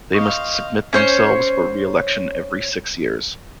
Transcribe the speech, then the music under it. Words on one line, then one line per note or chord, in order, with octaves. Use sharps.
They must submit themselves for re-election every six years.
C5 D#5 F5 C#6 D#6
C#4 C5 C#5